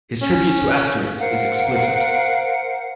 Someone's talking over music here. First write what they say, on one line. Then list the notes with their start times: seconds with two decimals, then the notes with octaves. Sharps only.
His tribute to "Asterix" is explicit.
0.22 C#4
1.19 A#4 C5 F5 F#5